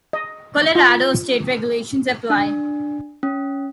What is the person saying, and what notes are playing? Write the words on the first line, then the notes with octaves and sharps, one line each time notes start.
Colorado state regulations apply.
D#5
F4
D4
C#4